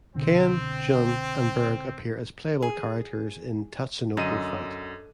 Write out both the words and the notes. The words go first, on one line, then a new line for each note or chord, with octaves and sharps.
Ken, Jun and Berg appear as playable characters in "Tatsunoko Fight".
C2 B2 D3 C4
G#4
F#2 D3 D#5 D#7